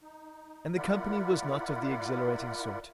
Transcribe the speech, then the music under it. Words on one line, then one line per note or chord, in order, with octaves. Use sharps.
And the company was not of the exhilarating sort.
D#4
E4 F4 A#4 D5 F#5 B5